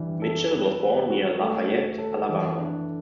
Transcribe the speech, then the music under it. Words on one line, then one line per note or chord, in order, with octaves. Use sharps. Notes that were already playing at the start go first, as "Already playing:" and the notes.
Mitchell was born near Lafayette, Alabama.
Already playing: E3 G3 D4
A4
B4
B4
F#4
A3
F#4
A4
E3
D4